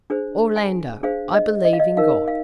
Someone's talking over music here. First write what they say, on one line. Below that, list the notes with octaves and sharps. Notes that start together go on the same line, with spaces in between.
"Orlando, I believe in God."
D4 G#4 C5
G#5
D4 G#4 C5 F5
D#5
D#5
F5
D#5
D#4 A#4 F5
F5